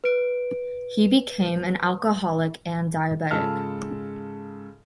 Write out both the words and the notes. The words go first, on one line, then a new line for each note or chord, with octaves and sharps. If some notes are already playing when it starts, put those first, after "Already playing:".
He became an alcoholic and diabetic.
B4 D7
G#2 C#3 F4 A4 A5 F6